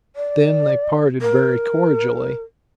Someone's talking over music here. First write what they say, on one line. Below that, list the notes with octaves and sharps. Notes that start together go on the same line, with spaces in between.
Then they parted very cordially.
D5
A#4